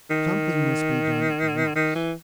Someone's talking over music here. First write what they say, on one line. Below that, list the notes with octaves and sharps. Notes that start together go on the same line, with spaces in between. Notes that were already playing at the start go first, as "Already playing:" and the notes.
Something must be done at once.
D#3
D#3
E3